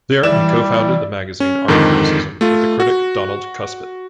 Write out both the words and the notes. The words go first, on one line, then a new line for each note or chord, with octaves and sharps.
There he co-founded the magazine Art Criticism with the critic Donald Kuspit.
E3 G3 E4 D5 E7
C#4
F2 G#2 D3 D#3
A3 F4
F#4